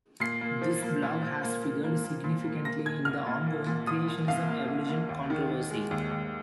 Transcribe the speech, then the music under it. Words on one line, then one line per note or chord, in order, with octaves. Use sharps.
This blog has figured significantly in the ongoing creationism-evolution controversy.
A#2 C7
A#3
F3
A#3
A#2
A#2
A#3
A#3
A#3
A#3
A#2
A#3
A#3 A#6
A#2 G#6
C2 F6
A#2
A#3
A#2
A#2 D#6
A#2
C2 F5
A#3
C2
A#3
D#2
D#3
D#3
G#3
D#2
D#2